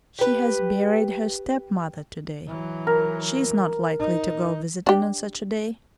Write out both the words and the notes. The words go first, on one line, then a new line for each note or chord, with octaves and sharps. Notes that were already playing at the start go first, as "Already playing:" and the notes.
She has buried her stepmother to-day: she is not likely to go visiting on such a day.
G4 B4
E3 F#3
A#4
D#4
D4 G4